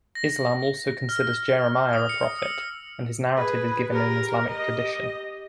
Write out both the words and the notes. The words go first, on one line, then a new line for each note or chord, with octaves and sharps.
Islam also considers Jeremiah a prophet, and his narrative is given in Islamic tradition.
A#6
F6
D#6
C#7
E6
G#4 B4
G4 A#4
G4 D#5